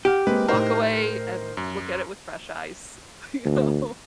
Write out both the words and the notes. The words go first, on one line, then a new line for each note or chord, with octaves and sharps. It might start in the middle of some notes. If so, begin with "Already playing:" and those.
walk away and look at it with fresh eyes, you know.
G4 F#5 F6
G#3 A#3 C4 B4
A2 D#4 A#4 C5
F#2
D2